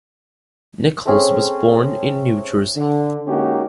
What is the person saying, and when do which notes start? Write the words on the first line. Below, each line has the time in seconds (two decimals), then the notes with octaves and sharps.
Nichols was born in New Jersey.
1.05 A3 C4 C#4 G#4
2.76 D3
3.25 G#3 A#3 C#4 D#4 F#4 G4